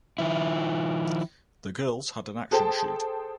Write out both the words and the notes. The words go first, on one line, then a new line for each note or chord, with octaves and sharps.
The girls had an action shoot.
D#3 F3 E4
G#4 A4 C5 G5 A5